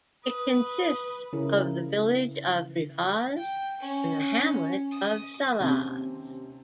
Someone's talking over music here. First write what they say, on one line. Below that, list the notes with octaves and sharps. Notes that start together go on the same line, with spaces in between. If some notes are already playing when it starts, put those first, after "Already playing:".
It consists of the village of Rivaz and the hamlet of Sallaz.
B4 D#6
C#3 E4 A#4
G5
C#4
D#6
D#2 C3 C4 C#4